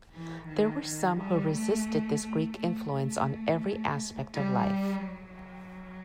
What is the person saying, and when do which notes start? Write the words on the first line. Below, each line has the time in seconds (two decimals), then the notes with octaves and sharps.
There were some who resisted this Greek influence on every aspect of life.
0.12 E3
0.47 D#3
0.83 D#3
1.17 G3
1.53 A3
2.23 A3
2.58 A3
2.93 A3
4.34 G3
5.05 F#3